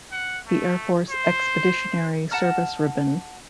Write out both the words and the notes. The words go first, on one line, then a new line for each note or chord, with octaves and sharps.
The Air Force Expeditionary Service Ribbon.
F#5
A3
C5
F#5 A5 A#5 F6